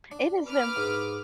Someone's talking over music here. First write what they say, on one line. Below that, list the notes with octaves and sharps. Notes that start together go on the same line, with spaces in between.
It has been
D4
B4 D6 F6
G#2